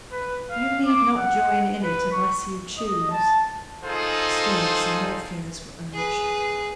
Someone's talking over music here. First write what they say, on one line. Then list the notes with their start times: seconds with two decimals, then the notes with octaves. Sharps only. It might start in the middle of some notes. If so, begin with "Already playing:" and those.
You need not join in it unless you choose.' Still some more fears were urged.
0.12 B4
0.51 F5
0.86 D6
1.18 F#5
1.83 B4
2.12 C#6
2.76 D#5
3.11 A5
3.84 D#4 F4 G#4 A4 C5
5.92 G#4 B4